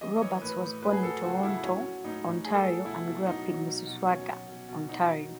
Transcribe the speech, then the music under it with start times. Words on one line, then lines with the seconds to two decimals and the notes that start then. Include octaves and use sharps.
Roberts was born in Toronto, Ontario and grew up in Mississauga, Ontario.
0.01 E3 D#5
0.17 D#5
0.21 E3 C#5
0.42 A2 B4
0.62 A2
0.82 F#3 B4
0.93 G#4
1.03 F#3 A4
1.23 C#3 F#4
1.43 C#3 E4
1.64 F#3 C#4
1.84 F#3
2.04 A2 D#4
2.25 A2
2.45 F#3 G#4
2.54 A4
2.63 F#3 G#4
2.86 B2 E4
3.06 B2
3.26 F#3 D#4
3.46 F#3
3.67 B2
3.87 B2
4.07 F#3 C#4
4.28 F#3
4.48 B2
4.68 B2
4.89 F#3 D#4
5.10 F#3